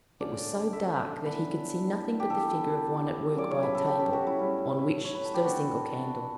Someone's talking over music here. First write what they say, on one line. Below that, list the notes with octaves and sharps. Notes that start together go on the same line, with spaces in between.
It was so dark that he could see nothing but the figure of one at work by a table, on which stood a single candle.
D3 A3 C#4 D5
E5
E3 B3 D4 B4
G4
E3 B3 D4 A4
C#3 F#3 C#4 D5
C#5
B4
A4
G4
G4
F#4
E4
A2 G3 C#4
C#5
B4
A4
G4
E3 B3 D4 F#4